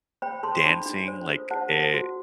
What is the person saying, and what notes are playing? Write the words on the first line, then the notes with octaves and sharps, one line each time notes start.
dancing, like, e
C5 G5 B5
A4 A5 C6
D4 B5 D6
D4
C5
A4
C5 F#5 A5
A4
F#4